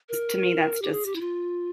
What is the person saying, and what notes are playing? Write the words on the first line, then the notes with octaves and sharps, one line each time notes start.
to me that's just
A#4
G4
G#4
G4
E4
F4